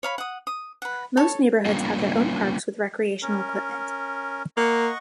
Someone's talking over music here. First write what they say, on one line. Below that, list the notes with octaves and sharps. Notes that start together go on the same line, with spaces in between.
Most neighborhoods have their own parks with recreational equipment.
C#5 F5 B5
F#5 D#6
D#6
B4 F#5
A4 C#5 A5
G3 A#3 B3 C#4 D4 F4
C#4 A#4
A#3 D#5 F#5 C#6